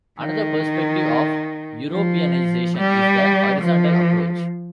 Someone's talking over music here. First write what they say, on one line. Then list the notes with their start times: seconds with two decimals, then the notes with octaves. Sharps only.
Another perspective of Europeanisation is the 'horizontal approach.
0.19 D#3
1.88 F3
2.74 G3
3.59 F3